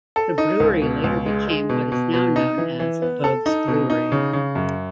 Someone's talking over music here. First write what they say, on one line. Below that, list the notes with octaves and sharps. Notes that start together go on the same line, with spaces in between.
The brewery later became what is now known as Boag's Brewery.
A4
D#4
C#2
B2
C#2
G#3
G#3
B2
B2
B2
D#4
E3
E3
B3
A4
D#4
B2
D#4
C#3
C#3
F#2